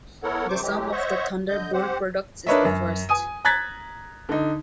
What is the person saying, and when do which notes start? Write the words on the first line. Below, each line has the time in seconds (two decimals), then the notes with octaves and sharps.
The sum of the thunderbolt products is the first.
0.23 B3 E4 A4 A#4 C#5 F#5
0.48 F#2 C3 F#3 C5 C#6 D6
0.62 E3 F#3 G#3 G4
0.92 C5 C#5 D#5 E5 F#5 C#6
1.49 D3 D#5 G6
1.73 C4 G4 C5 F#5
2.46 D4 A#4 B4 C#5 D#5 E5
2.65 F#2
3.09 G#5 D#6 D#7
3.45 A#5 F#6 G#6 A6 B6
4.29 D3 D#4